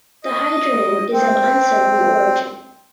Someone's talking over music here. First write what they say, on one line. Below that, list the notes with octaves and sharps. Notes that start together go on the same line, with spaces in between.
The hydronym is of uncertain origin.
D#5
C4